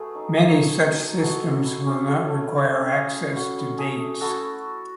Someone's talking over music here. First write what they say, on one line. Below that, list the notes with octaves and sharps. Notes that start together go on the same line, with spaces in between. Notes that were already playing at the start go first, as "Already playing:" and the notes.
Many such systems will not require access to dates.
Already playing: A3 B3 F#4 G#4
D#4
D#4
A3
A3
D#4
G#3 F#4 A4
G#3
E4
C#4
A3
A3
E4
C#4
E4 G#4
A3
A3 F#4
E4
A3 G#4
A3
E4 F#4 A4